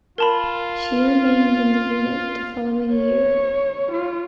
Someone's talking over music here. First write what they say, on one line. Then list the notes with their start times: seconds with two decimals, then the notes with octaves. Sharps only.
She remained in the unit the following year.
0.18 F4 A#4 A5 B5
2.93 C#5
3.92 F4